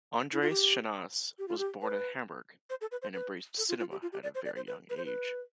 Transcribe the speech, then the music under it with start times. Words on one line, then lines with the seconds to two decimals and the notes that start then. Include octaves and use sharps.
Andreas Schnaas was born in Hamburg and embraced cinema at a very young age.
0.33 E4
0.41 F4
0.50 G4
1.39 G4
1.48 F4
1.58 G4
1.81 B4
2.70 C5
2.81 A4
2.91 B4
3.02 C5
3.14 B4
3.58 A4
3.69 F4
3.79 F4
3.91 G4
4.02 F4
4.12 G4
4.23 D5
4.35 C5
4.45 D5
4.56 C5
4.67 B4
4.90 B4
4.97 C5
5.05 B4